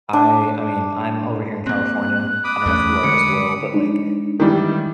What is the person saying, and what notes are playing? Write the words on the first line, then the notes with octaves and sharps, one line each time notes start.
I I mean, I'm over here in California- I don't know if you are as well, but, like,
D4
A#3 C4 F#6
B5 D6 D#6
E2 A3 C#4
D3 G#3 C#7
G#3 D4 D#4
D#3 E3 G3